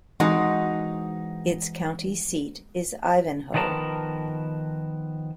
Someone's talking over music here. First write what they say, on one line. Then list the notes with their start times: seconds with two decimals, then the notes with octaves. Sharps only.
Its county seat is Ivanhoe.
0.20 E3 G#3 C4 D#4 F#4 F#5
3.54 D#3 F3 B3 A#4 A5